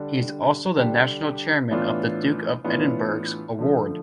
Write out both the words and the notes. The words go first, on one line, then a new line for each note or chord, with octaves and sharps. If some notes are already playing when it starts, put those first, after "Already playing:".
He is also the National Chairman of the Duke of Edinburgh's Award.
Already playing: D3 G3 D4 G4
D3 G3 D4 G4
A2 E3 B3 D4 F4
A2 E3 B3 D4 F4
D3 F3 A3